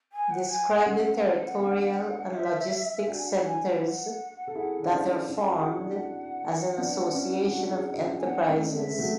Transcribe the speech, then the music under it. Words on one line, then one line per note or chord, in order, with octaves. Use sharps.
Describe the territorial and logistics centers that are formed as an association of enterprises.
G#5
F#5
G#5
G#5
F#5
A3 C#4
B3 D4
E5
D4 F#4 G#5
F#5
G#5
F#5
A4
E4 G#4
D4
C#4 E4
C#4 E4 F#5
F#4
E4 G#4
D4 F#4
B3 D4
C#4 E4
D4 F#4
E4 G#4
D4 F#4
C#4 E4
G#5
B3 D4 F#5
A3 C#4
G#3 B3 E5
F#3 A3